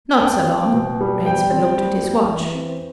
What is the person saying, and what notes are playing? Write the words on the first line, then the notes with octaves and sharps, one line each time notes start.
"Not so long." Rainsford looked at his watch.
A5
C4 G5
C4
B2
G3
G3 G5
C4
G3
G3
E3
C4